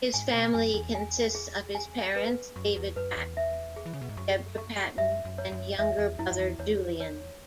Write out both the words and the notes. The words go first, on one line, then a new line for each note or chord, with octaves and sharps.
His family consists of his parents David Patton, Deborah Patton and younger brother Julian.
G#2 G#5
B2
F#2 G#5
E2
G#5
G#4
G#5
B4
F#2 C#6
E2
F#2 B4
E2
E5
G#4
E3
C#3
B2
G#2
F#2 C#6
C#6
F#2 E5
F#2
C#5
F#2
E2 E5
E2
F#2 E4
F#2
E2
E2 C#5
C#5